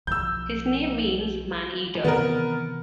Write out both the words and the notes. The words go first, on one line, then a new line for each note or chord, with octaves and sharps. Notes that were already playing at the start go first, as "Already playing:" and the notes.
His name means "man eater".
B1 F3 E6 G6
C3 D#3 E3 B3 A#4